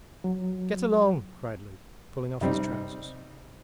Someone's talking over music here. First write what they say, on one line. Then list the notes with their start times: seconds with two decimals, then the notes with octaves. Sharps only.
'Get along,' cried Luke, pulling off his trousers.
0.24 F#3
2.41 C3 G3 C4 D#4